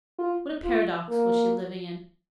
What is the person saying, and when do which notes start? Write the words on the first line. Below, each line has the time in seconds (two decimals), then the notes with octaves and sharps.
What a paradox was she living in!
0.19 F4
0.65 F4
1.09 A#3